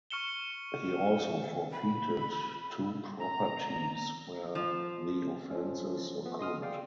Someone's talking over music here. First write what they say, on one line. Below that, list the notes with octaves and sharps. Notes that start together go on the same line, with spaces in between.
He also forfeited two properties where the offences occurred.
C#6 F6 C#7 E7 G7
B5
A#5
F3
F3 C#4
F3 B3
D#5 C6 D#6 F6
G#4 D5 F5 G5